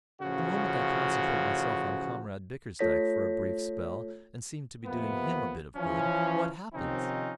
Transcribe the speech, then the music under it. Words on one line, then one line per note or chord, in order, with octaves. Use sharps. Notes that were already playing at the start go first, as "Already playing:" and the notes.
The moment I concentrate myself on Comrade Bickersdyke for a brief spell, and seem to be doing him a bit of good, what happens?
A1 C#3 F3 F#4
A3 F4 A4 C#5 A#6 B6
F2 C3 A#3 B3
E3 F3 C#4
C3 D#3 F3 C4 C#4 D#4